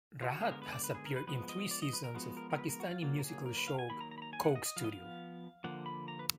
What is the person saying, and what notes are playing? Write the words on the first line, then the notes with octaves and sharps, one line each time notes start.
Rahat has appeared in three seasons of Pakistani musical show "Coke Studio".
F4
F#4
D3 G#3 B3 G#4
A#4
B4
D5
B4
G#4
A#4
B4
F3 G#3 B3 B4
D#5
D5
D#5
B4
A#4
F3 G#3 B3 F#4
A#4
A#4
B4
A#4
F#4
F4
D3 F#3 A#3 F4
A#4
G#4
A#4
B4
F5
G#5
D#3 F#3 A#3 B5
A#5
A#5
B5
A#5
G#5
F#5
D#5
D#5
F3 B3 D#5 F5
F5
D3 F3 A#3 F#5
B5
A#5
B4